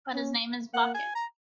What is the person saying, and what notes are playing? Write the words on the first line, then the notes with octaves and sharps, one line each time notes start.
But his name is Bucket.
C#4
A#3 F#5
G#5
A#5